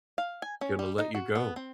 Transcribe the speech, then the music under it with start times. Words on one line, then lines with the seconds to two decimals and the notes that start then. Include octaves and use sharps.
gonna let you go,
0.18 F5
0.42 G#5
0.61 C#4
0.79 G3
0.98 D#4
1.15 F#4
1.35 B3
1.56 C4